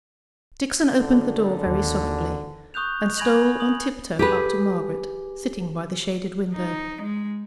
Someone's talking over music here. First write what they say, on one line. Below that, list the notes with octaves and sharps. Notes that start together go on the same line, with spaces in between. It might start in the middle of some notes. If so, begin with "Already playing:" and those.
Dixon opened the door very softly, and stole on tiptoe up to Margaret, sitting by the shaded window.
G#1 D3
D#2
C#6 D#6 F#6 G6 F7
G#5 B5 G#6 A#6 F7 F#7
D#6 F#7
G4 G#4 B4
D#4
G#3